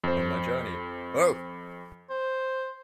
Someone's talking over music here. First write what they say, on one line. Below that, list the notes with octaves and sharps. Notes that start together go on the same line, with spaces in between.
On my journey - oh!
F2 C5
C5